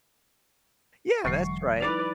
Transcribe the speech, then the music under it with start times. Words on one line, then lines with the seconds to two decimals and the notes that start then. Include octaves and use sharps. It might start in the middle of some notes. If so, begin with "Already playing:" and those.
Yeah, that's right.
1.25 E1 D3 E3 F#3 G#3 C#6 C7
1.80 D#4 E4 B4 D5 D6 A6 F7